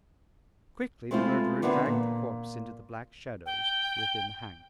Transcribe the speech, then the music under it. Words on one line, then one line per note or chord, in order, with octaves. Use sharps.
Quickly the murderer dragged the corpse into the black shadows within the hangar.
G#3 A3 C4 E4 F4
D3 E3 G3 B3 C4 D4
A#2
G5